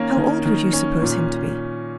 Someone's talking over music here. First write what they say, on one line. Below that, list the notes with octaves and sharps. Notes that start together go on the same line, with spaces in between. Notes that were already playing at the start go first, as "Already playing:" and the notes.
"How old would you suppose him to be?"
Already playing: D#3 A#3 C#4
D#3
D#3
C#4
A#2